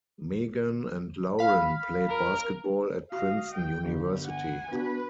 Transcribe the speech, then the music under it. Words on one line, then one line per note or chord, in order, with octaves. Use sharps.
Meagan and Lauren played basketball at Princeton University.
F5 B5
A#4
F#4 D#5 F5
G5
G1 G4
F#5 G#5
B3 D4 F#4 B4